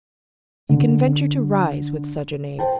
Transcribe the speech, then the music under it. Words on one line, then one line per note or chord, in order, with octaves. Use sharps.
You can venture to rise with such a name.
D3
C5 G5 A5